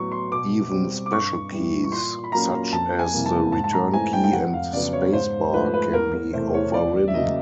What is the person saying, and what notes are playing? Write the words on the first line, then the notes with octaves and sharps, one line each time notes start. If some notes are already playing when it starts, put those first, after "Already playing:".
Even special keys such as the return key and spacebar can be overridden.
Already playing: A2 F#3 B3 C#6
C6
B2 D6
G3 C4
D6
G2 C#6
E3 G3
C#6
A#2 C6
B5
F#3 A#3 C#4 A#5
F2 A5
G#5
C3 E3 G3 A#3
A5
G#2 A5
A5
A#5
E3 A3 C4 G#5
G5
G5
F2 F#5
F5
C#3 F#3 B3 D5
C#5
G#2 C5
F3 A3 B4
B4
E2 A#4
A#4
C3 E3 A3 C4 C5
C#5
E2 D5
E5
C#3 F#3 A#3 D#5